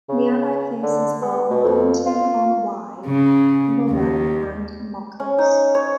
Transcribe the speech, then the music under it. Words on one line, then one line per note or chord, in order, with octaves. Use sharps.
Nearby places are Monnington on Wye, Lulham and Moccas.
C#3
D3
B3
B2
F2
F4
C#3
D#2
C#4
D#4
C#5